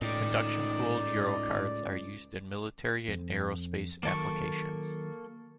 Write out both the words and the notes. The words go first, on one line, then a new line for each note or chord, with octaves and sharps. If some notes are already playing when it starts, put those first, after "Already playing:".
Conduction-cooled Eurocards are used in military and aerospace applications.
C#2 A2 D#4 D5 G5
F2
D#3 F#3 A#3 A4 C#6